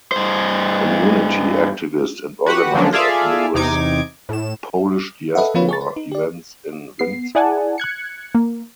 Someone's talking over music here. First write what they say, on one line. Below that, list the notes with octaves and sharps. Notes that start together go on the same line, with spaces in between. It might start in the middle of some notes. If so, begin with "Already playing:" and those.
Community activist and organiser of numerous Polish diaspora events in Windsor.
G2 C5
F#4 G4 B4 F#5
D3 F3 F#3 A#3 C#4 D4
F4 G#4 A4 D5 E5 F5
E2 C3 D#4 D6 G#6
A2 E7
A4 B4 D#5 E5 F#5
F3 A#3 C4 F4 B4 C#5
G#4 C#6 A6
B4
D#4
G4 D5
B3 C7
E4 G#4 D5 F#5 G#5 A5
F#6 G#6 C#7
A#3